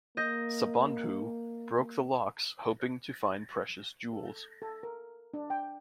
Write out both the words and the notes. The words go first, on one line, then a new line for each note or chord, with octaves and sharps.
Subandhu broke the locks, hoping to find precious jewels.
A#3 D#5 G6 A#6
A4
A4
A#4
D4
G5